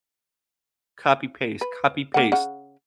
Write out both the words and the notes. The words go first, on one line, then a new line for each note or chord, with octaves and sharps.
copy, paste, copy, paste.
B4
A#3 F#5
C#3 F#5